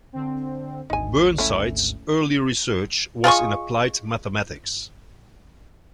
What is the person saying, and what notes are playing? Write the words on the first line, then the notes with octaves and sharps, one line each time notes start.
Burnside's early research was in applied mathematics.
D3 C4
G#1 D2 D#4 G#5
A3 C#4 E4
F4 G#4 D#5 C#6